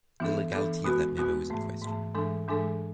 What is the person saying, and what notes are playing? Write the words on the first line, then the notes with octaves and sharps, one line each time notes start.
The legality of that memo is in question.
E3 B3 D4 A4
E3 B3 D4 A4
B2 G#3 B3 F#4
B2 G#3 B3 F#4
G#2 E3 A3
G#2 E3 A3
G#2 E3 G#3 D4 A4
G#2 E3 G#3 D4 A4